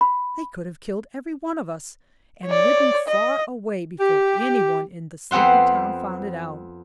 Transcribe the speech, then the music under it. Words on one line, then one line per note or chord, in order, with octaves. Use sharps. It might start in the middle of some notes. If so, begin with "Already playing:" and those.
They could have killed every one of us, and ridden far away before anyone in the sleepy town found it out.
B5
C#5 D5
D#5
G4
F2 B3 C4 F#5 C6